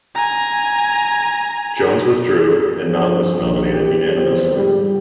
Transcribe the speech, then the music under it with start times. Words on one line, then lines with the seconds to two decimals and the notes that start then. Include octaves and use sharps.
Jones withdrew, and Knott was nominated unanimously.
0.15 G#5 A#5
2.87 G2 F3
3.40 A#1
3.74 E2 E3 G3 G4
4.16 E2 F3 G3 B3 C4
4.54 F2 G#2 G3